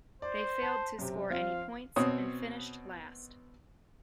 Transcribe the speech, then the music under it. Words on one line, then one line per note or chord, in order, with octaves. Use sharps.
They failed to score any points and finished last.
C5 D5
A5
F#2 C3
F3 C4 F4 F5
B2 C4 C#5 D#6